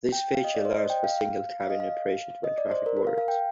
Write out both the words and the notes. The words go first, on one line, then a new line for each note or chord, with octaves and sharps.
This feature allows for single cabin operation when traffic warrants.
G5
F5
D#5
D5
C5
D#5
G5
F5
F5
F5
D#5
F5
D#5
D5
C5
A#4
A#4
F5
F5
G5